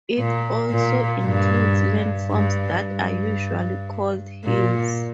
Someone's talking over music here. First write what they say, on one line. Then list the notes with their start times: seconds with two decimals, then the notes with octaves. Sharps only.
It also includes landforms that are usually called hills.
0.18 A#2
0.71 A#2
1.25 G2
2.31 G2
2.84 G2
4.45 A#2